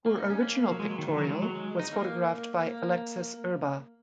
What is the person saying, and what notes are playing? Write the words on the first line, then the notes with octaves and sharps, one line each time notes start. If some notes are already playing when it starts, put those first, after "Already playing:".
Her original pictorial was photographed by Alexas Urba.
A#3
D#4
C#4
A#3
F#3
G#3
F#3
D#3
D#3
F#3
G#3
F#3
G#3
D#4
A#3
A#3